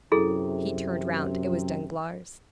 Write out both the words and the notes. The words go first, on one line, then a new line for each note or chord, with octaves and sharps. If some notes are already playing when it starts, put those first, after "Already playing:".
He turned round; it was Danglars.
F#2 C3 E4 G#4 A4